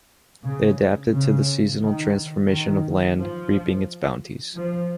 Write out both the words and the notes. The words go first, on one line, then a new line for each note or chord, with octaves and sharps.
They adapted to the seasonal transformation of land, reaping its bounties.
C#3
C#3
D#3
D#3
F3
F3